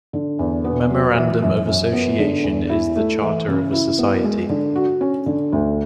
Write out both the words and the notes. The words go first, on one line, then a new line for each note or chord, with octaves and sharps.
Memorandum of association is the charter of a society.
D3
E2
B3
F#3
E3
F#2
F#2
B3
D3
E2
E4
A3
E3
C#3
E4
B3
G#3
D3
F#4
C#4
D3
D2